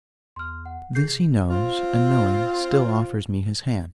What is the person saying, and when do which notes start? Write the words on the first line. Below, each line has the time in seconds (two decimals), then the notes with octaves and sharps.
This he knows, and knowing, still offers me his hand.
0.36 E2 C6 F6
0.65 F#5
0.95 D#3 G#4 G6 C7
1.07 C3
1.49 C4 F4